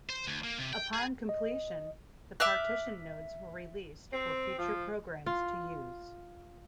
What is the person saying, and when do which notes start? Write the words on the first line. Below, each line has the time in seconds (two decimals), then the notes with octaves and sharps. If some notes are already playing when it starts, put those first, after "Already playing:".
Upon completion, the partition nodes were released for future programs to use.
0.09 C5
0.27 D2
0.44 A#3
0.58 C3
0.73 G5
0.94 G#4
1.29 D#5
2.40 E5 D6 F6 F#6
4.12 C4
4.57 F3
5.26 F4